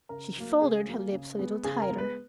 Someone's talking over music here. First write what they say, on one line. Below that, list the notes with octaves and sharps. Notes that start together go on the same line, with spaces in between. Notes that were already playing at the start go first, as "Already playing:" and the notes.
She folded her lips a little tighter.
C#3 A#4
F#3 A#3
C#3 G#4
F#3 A#3
C#3
G#3 B3
C#3 G#4
A#4
G#3 B3
B4